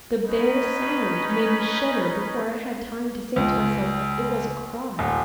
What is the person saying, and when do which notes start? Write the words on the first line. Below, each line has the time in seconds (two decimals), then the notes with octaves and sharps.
The bare sound made me shudder before I had time to say to myself it was a cry.
0.24 C#4 D#4 B4
3.36 C#2
4.99 D1